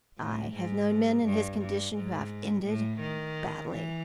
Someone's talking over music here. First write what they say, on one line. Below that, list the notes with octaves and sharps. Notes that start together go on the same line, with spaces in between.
I have known men in his condition who have ended badly.
A2
G#2
G2
G2
G#2
A2
D#3
E3